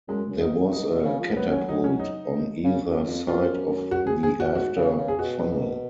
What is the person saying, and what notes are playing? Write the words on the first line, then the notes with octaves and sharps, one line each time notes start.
There was a catapult on either side of the after funnel.
F#2 G#3
F#2
D#4
F2
G#2 D#4
B2
C#3
F3
A#3
F#3 B3
C#4
D#4
C#4
D#4
C#3
F#2
F2
F#2 F4
F#4
G#4
G#4
F#4
G#2 F#4
C#3
C#3
G#4
B2 F#4